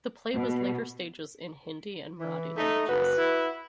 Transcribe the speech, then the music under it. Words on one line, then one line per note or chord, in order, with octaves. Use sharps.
The play was later stages in Hindi and Marathi languages.
B2
E3
A3 D#4
F#1 F#4 B4
E4